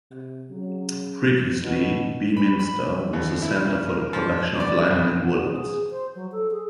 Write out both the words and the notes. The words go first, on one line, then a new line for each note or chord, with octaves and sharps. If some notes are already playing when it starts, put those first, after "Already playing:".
Previously Beaminster was a centre for the production of linen and woollens.
C3
C#3 F#3
B2
B5
B5
D#2
E4
C#3
A#4
F3
D5
B1
F#5
G#4
C5
F#3
A4
G#4